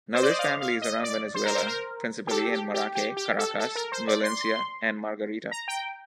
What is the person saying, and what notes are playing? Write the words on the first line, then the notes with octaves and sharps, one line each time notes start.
Now this family is around Venezuela, principally in Maracay, Caracas, Valencia and Margarita.
C5
D5
D#5
F5
F5
D#5
D5
C5
A#4
C5
A#4
G4
A4
G4
G4
G4
G4
A4
A4
A#4
C5
D5
C6
A#5
G5